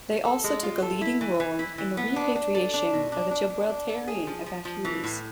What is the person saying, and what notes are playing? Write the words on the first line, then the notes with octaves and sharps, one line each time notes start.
They also took a leading role in the repatriation of the Gibraltarian evacuees.
A4
G#3
F4
A4
E4
E3
E3
E4
E3
B3
D4
D4
A4
D4
B2
D4
D4
D4
D4
A4
G#4
F3
F3
F3
E3
A2